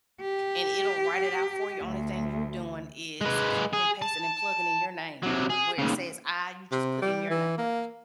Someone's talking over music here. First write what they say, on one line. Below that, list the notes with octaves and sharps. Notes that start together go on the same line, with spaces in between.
and it'll write it out for you. Only thing you're doing is copy and pasting and plugging in your name. Where it says I, you just put in your name
G4
D2
G#3 B4
G#4
A5
C3 F#3
G#4
D#2 C#3
C3
G3
E3
A#3